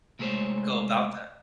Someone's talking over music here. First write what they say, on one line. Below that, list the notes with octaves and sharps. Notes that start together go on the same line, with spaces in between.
go about that.
C2 G#3 A3 G#4 C5 C#5